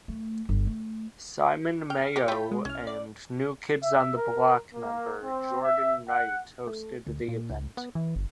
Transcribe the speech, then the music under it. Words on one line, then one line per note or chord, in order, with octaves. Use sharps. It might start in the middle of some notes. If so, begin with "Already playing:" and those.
Simon Mayo and New Kids on the Block member Jordan Knight hosted the event.
A3
G1
A3
G5 F6
G4 A#4
A3 F4 C#5 G5 B5
G#3
C2 C#4 F6
D5
E5
A#4
A#3
C4
E5
F#5
A3
D2
A#2
C#2
B3
E3
G1